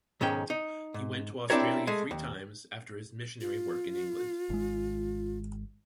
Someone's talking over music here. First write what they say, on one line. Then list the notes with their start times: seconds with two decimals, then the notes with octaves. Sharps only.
He went to Australia three times after his missionary work in England.
0.21 B1 G#2 D#3 C#4 G5
0.50 D#4
0.94 G#2
1.50 C4 D4 E4 G4 A#4 C#5
1.87 G#3 A3
2.11 D#2
3.41 F4
4.50 G#1 G#3